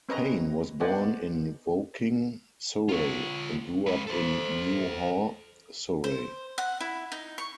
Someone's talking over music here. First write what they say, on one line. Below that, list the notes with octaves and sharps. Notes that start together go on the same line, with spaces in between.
Payne was born in Woking, Surrey, and grew up in New Haw, Surrey.
C4 C#4 B4 C#5 D#5 A#5
B3 D#4 C5 D5 F#5 G#5
F4 C#5
G#3 B4
A4 C5
C5
F#5
E4
D#4
C#6